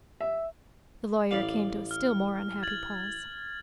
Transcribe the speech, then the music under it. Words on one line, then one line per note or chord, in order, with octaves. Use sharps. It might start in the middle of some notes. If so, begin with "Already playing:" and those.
The lawyer came to a still more unhappy pause.
E5
A1 D5 F5
F6
G#6 A6 F#7